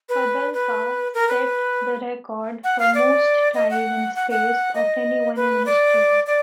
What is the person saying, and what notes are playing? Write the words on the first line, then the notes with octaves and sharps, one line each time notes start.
Padalka set the record for most time in space of anyone in history.
B4
B4
A#4
B4
F#5
F5
D5
D#5
F#5
F#5
F#5
D#5
B4
D5
D5